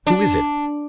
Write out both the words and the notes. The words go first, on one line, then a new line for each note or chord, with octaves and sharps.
"Who is it?"
D4